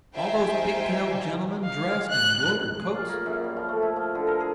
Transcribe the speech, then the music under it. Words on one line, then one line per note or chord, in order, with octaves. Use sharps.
All those pigtailed gentlemen dressed in embroidered coats.
D#4 F4 C5 E5 G5 G#5
F5
F#6
G#4
F4
A#3
F#2
G3
F3
A3
E4
F3
D3
A#4
G#4